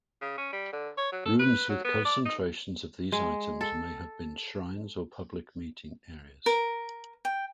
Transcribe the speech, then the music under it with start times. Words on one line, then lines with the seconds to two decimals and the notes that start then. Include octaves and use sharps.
Rooms with concentrations of these items may have been shrines or public meeting areas.
0.21 C#3
0.38 C#4
0.53 G3
0.73 D3
0.98 C#5
1.12 F#3
1.25 A4
1.39 B4
1.69 F#3
1.84 B3
2.05 D5
2.25 D#4
3.12 G#3
3.61 A4
6.46 A#4
7.25 G5